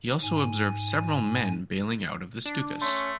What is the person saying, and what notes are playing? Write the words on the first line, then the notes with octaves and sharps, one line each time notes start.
He also observed several men bailing out of the Stukas.
G#2 G#5
D4
A3 C#4 C6